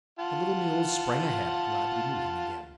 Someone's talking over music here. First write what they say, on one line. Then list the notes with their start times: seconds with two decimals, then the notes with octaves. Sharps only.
The little mules sprang ahead, glad to be moving again.
0.19 F4 F#5 A5